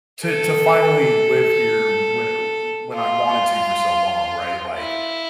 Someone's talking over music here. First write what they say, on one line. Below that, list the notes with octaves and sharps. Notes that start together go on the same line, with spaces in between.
to to finally live here when, uh, uh, when I wanted to for so long, right? Like
A4
F4
E4